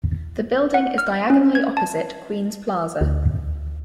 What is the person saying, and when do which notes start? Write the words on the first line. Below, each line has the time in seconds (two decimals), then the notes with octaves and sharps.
The building is diagonally opposite QueensPlaza.
0.74 F#5
0.98 F6
1.30 C#4
1.55 G#6
1.77 A5
3.01 D2